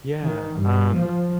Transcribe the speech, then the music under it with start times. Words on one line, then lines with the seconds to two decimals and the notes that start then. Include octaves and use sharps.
Yeah, um
0.23 D#3
0.60 G2
0.96 F3